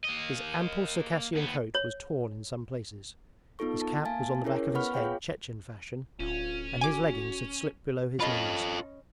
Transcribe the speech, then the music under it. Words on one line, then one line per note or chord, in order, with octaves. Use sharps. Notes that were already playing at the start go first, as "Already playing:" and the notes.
His ample Circassian coat was torn in some places, his cap was on the back of his head Chechen fashion, and his leggings had slipped below his knees.
A#3 D#5
D#2 B3
C#5
B3 D#4 F4 A4 C#6
A5
A#3 F5 G#5 A5 A6
C#4 E4 G#4 A#4 C#5
B3 B4 F#5 B5 C#6 F6
F4 G#4 C#5 F5 G5
D1 C#4 F4
F#4 G#5 D6
C#4 F4 A4 D#5 B5